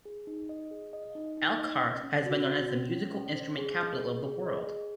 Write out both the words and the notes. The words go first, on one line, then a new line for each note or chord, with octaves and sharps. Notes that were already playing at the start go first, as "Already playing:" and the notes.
Elkhart has been known as "The Musical Instrument Capital of the World".
G#4
D#4
D#5
G#4
D#5
D#4
D#4
D#5
C#4
C#4
F#4
C5
C#4
C#4
C#4
C5
G#4
D#5
G#4
G#4
D#5
G#4